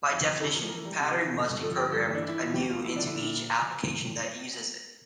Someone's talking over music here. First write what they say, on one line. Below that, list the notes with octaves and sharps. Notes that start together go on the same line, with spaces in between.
By definition, a pattern must be programmed anew into each application that uses it.
F2
F2
C3 A4
F3 A#4
E3 A#4
G3
C3
E3
D3
G2
F3 A4
D3 G4
G2 A4
E3
D4
E3 E4
E3 F4
D2 G4
D2 F4
F3 E4
D3 D4
E4
A#2